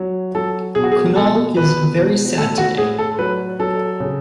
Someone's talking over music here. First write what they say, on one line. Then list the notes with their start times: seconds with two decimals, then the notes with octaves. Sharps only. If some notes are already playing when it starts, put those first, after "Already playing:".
Kunal is very sad today.
Already playing: F#3
0.35 F#3 A4
0.75 B2 G#4
0.84 F#4
0.92 G#4
1.16 B2 A4
1.57 B2 B4
1.97 B2
2.38 A2 A4
2.58 F#4
2.78 A2 G#4
2.98 A4
3.19 F#3 B4
3.59 F#3 A4
4.00 C#3